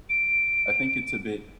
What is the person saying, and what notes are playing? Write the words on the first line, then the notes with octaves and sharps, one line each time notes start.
I think it's a bit,
D7